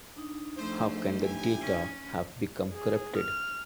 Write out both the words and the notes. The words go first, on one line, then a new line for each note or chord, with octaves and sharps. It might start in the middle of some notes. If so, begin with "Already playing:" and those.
How can the data have become corrupted?
D4 D#4
F2 A3 C5
G#2 C5
E4 G4 G#5
C#4
G#4
F6